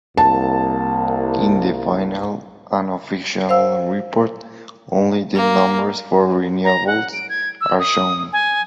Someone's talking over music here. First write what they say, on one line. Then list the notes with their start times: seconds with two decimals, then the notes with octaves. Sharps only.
In the final and official report only the numbers for renewables are shown.
0.17 C2 A#3 A5
3.49 C5 F5 E6
5.36 A#3
6.65 A#5
6.87 F#5
7.13 D7
7.29 G#6
7.61 E6
7.79 D#6
8.33 G#5